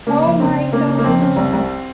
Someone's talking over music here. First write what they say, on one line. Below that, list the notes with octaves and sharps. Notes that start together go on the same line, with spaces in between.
Oh my gosh.
C#3 A#3
F2
C#3 C4
C#3
C#3 A#3
C#3
A#3
F2 C4
C#3
C2
C2